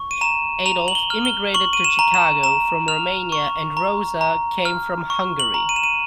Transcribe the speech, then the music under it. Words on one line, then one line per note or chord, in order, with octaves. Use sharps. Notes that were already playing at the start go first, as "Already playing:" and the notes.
Adolph immigrated to Chicago from Romania and Rosa came from Hungary.
Already playing: C#6
D#7
A#5 E7
A#5 F7
F#7
G7
F6
G7
C#6 F#7
D#7
E7
A#5
E7
A#5 E7
F6 F7
C#6
A#5
A#5
F6
C#6
F#7
A#5
D#7
E7
D#7